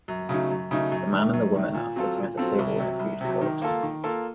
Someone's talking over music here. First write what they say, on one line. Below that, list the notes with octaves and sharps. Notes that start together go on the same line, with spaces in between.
The man and the woman are sitting at a table in a food court.
F#2
C#3 F#3 A3 D#4
F#2
C#3 F#3 A3 D#4
F#2
D#3 A3
F#2
D#3 A3
A#2
F#3 C4 F4 A4
A#2
F#3 C4 F4 A4
C2
C3 F#3
C2
C3 F#3
D#3
A#3 F4 A4
D#3
A#3 F4 A4